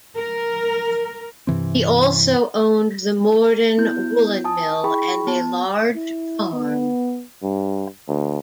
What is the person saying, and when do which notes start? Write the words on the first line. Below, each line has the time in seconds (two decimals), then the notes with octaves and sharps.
He also owned the Morden Woollen Mill and a large farm.
0.16 A#4
1.47 G2 C3 E3 C4
3.78 B3 E4 G6
4.44 G#5 A5 D#6
4.84 E4 G#4 G5 B5 C#6
5.27 B3 A5
5.96 E4
6.53 B3
7.43 G2
8.08 D2